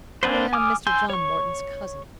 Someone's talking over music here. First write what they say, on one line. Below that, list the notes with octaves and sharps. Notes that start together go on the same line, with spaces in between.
"I am Mr. John Morton's cousin."
A#3 C4 D4 B4 C5
G#5 D6 D#6 F6
G#5 C6 E6 G6
C#5 C#6